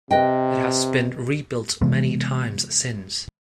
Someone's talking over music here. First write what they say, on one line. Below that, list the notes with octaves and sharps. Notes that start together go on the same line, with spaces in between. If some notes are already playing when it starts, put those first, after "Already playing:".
It has been rebuilt many times since.
C3 B4 D#5 G5
C3 E3 G#3 B3